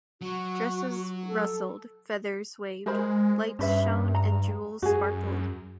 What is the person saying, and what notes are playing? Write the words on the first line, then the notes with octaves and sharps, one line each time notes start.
Dresses rustled, feathers waved, lights shone, and jewels sparkled.
F#3 F#4
A4
G#3 A#4 C5 B5
G2 C#4 B4 E5
A#5
F#2 F#4 G#4